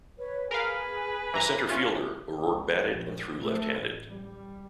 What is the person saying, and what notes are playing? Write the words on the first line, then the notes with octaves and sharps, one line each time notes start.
A center fielder, O'Rourke batted and threw left-handed.
B4 C#5
G#4 A#4 B4 F5 G#5
E3 A#5
C#4 F4 E5
C#2
A#1
A3
A1
G3